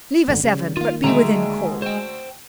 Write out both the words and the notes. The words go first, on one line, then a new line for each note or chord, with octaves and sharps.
Leave us, Evan, but be within call.'
G#1 F#2 D3
C#3 G3
D#3 A#3 F4 F5
D2 G#3 E5 G5 A#5
C5 G5